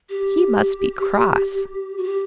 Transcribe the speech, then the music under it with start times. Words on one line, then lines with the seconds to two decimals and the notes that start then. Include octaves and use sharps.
"He must be cross."
0.09 G4
1.97 F#4
2.04 G4